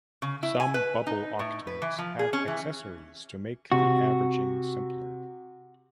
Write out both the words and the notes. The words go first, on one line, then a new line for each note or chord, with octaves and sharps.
Some bubble octants have accessories to make the averaging simpler.
C#3
E4
G#5
B4
D#4
A2
B4
E3
F3
G#4
C#4
E3
C3 F#4